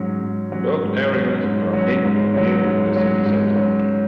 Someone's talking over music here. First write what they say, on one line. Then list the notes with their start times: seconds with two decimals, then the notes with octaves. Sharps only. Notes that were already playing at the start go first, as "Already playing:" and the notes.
Both areas are in or near the city centre.
Already playing: G#2 F#3 C#4
0.22 G#2
0.52 F#3 C#4
0.83 G#2
1.13 F#3 C#4
1.43 G#2
1.73 F#3 C#4
2.04 G#2
2.34 F#3 C#4
2.64 G#2
2.95 F#3 C#4
3.25 G#2
3.56 F#3 C#4